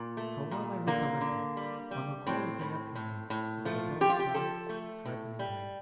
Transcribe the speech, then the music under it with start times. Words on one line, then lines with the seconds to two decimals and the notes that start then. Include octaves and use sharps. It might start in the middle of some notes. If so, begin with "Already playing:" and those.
How well I recollect it, on a cold grey afternoon, with a dull sky, threatening rain!
Already playing: A#2
0.17 A3
0.51 A#2
0.87 D3 A#3
1.21 D3
1.57 G3
1.91 G3
2.26 A2 C4
2.61 A2
2.95 A2
3.30 A2
3.65 F3 A3
4.01 F3 G4
4.09 F4
4.19 G4
4.34 F3 A4
4.69 A3
5.05 A2
5.39 G3